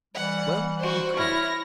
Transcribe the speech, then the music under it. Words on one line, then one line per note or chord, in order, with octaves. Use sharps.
Well, you can't.
E3 G3 F#5
F#4 C5
E4 C#5 E5 F6 A#6